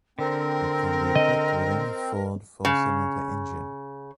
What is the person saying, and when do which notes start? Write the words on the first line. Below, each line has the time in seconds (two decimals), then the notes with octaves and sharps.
It can be equipped with any Ford four-cylinder engine.
0.19 D3 C4 A#4
1.16 D#5
2.65 C#3